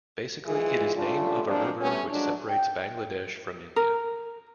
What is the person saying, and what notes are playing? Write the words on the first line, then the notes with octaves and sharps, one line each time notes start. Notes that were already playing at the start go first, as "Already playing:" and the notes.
Basically it is name of a river which separates Bangladesh from India.
E3 F3 G3 G#3 F4 G#4
A2 C#3 G3 A3 D4 F4
F3 F#3 G#3 A#3 C4 D4
G3 A3 B3 C#4
F3 F#3 G#3 A3 D4
G5
A#4